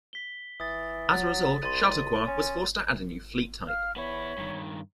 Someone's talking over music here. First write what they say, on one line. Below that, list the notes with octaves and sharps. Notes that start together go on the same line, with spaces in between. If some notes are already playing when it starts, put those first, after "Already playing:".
As a result, Chautauqua was forced to add a new fleet type.
B6 G7
E3 D#6 A6
F#3 A6
C2 C6 A6 D#7
C#4
F5 F6
B3 E4 C#5 B5
G2 D#3